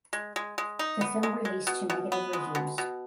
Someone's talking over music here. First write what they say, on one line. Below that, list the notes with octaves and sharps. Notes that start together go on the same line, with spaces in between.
The film released to negative reviews.
G#3
G#3
G#3
D#4
B3
G#3
G#3
B2
B2
B3
G#3
B2
B2